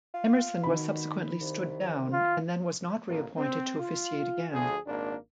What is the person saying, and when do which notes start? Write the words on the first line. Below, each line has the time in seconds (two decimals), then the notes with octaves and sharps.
Emerson was subsequently stood down, and then was not reappointed to officiate again.
0.14 F4
0.63 B2 D#3 B5
1.41 C2
2.13 F4
3.08 A1 A2 A#3
3.38 C4
3.80 F4
4.53 D2 F3 G#4
4.87 G#1 A#2 A#3 D4